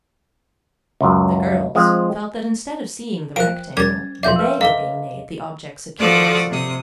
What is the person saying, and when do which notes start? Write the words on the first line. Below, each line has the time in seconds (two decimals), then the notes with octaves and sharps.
The girls felt that instead of seeing the Rectangle they were being made the objects of curiosity.
1.01 C#2 F#2
1.75 F3 G#3 C4
3.36 F3 A#4 C5 G5 F#6 D7
3.77 G3 C#4 A#4 D5 G#6 A6
4.23 A#1 D5 E5 F5 G5 C6 G6
4.36 A#4 B4
4.61 A4 D#5 F5 A#5 D6 G7
5.98 F3 F#4 A4 D5 D6 D#6
6.49 C3 D#6